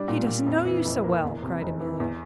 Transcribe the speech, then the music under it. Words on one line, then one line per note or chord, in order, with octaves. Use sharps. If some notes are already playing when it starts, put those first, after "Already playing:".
"He doesn't know you so well," cried Amelia.
Already playing: G3 D4
A#2
A#2
F2
E3
F1
A#3
E2
C3
F1
E3
E2